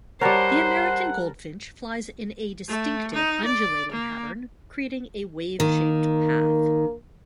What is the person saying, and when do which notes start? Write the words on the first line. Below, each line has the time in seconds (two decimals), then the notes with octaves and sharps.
The American goldfinch flies in a distinctive undulating pattern, creating a wave-shaped path.
0.21 G3 A#4 C5 C#5 F#5 A5
2.69 A3
3.14 D#4
3.45 D5
3.92 A#3
5.60 D#3 A#3